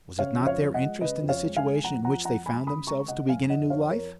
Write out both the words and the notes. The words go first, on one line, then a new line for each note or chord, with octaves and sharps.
Was it not their interest in the situation in which they found themselves to begin a new life?
C#3 C#5 F5
F2
C#5 F5
F3
D#5 F#5
G#3
C#3 B4 D#5
F2
C#5 F5
G#3
F5 G#5
G#3
F2 F#5 A#5
F3 F#5 A#5
F2 F#5 A#5
G#3 G#5 B5
C#3 B5 D#6
G#3 A#5 C#6
C#3 D#5 F#5
F#2 F5 G#5
F2 D#5 F#5
F2 C#5 F5
F2 A#4 C#5